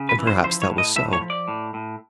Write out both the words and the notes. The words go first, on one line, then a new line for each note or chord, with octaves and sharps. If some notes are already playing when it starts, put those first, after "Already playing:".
And perhaps that was so.
Already playing: C#3
B4
E3
C5
F3 C5
C#5
A2
D#5
A2 E5
C#5
F3
D5
A2
A2